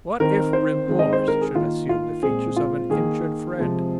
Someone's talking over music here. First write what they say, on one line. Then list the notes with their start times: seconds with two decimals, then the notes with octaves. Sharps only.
What if Remorse should assume the features of an injured friend?
0.20 D#3 C4 A#4
0.53 C5
0.87 D#3 G#3 C4
0.99 D#5
1.13 C5
1.28 A#4
1.41 G#4
1.55 D#3 A#3 F4
1.89 F4
2.22 A#2 G#3 C4 G#4
2.57 F4
2.90 D#3 A#3 G#4
3.58 C3 F3 G#3 C4